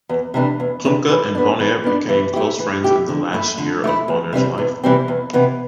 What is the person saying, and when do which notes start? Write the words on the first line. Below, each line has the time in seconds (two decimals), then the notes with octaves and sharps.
Klumpke and Bonheur became close friends in the last year of Bonheur's life.
0.09 E2
0.34 C3 E3 A3 D4
0.60 E2
0.84 C3 E3 A3 D4
1.09 E3
1.35 B3 D4
1.59 E3
1.84 B3 D4
2.09 E3
2.33 A3 E4 G4
2.59 E3
2.84 A3 E4 G4
3.08 D3
3.33 A3 E4
3.58 D3
3.84 A3 E4
4.08 E2
4.33 C3 E3 G3 C4
4.58 E2
4.83 C3 E3 G3 C4
5.08 E2
5.33 C3 E3 B3